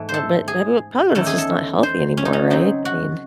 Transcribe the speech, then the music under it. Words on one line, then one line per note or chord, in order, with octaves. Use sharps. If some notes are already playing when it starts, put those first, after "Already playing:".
Um, but but w probably when it's just not healthy anymore, right? I mean
Already playing: G#2 E3 A3
C5
A4
G#4
E2 D#3 A3 C#4 A4
G#4
A4
C5
C#4
D#4
C#4
C#3 F#3 C4 D#4
F#4